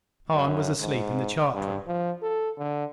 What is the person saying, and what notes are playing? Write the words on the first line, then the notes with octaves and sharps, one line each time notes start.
Hahn was asleep in the chart room.
F#2
G#2
G2
F3
A4
D3